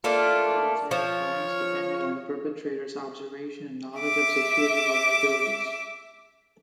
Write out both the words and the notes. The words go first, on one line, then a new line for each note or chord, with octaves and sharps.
Successful insider crimes depended on the perpetrators' observation and knowledge of security vulnerabilities.
A3 A#3 D4 F4
F3 C#5
E5 D6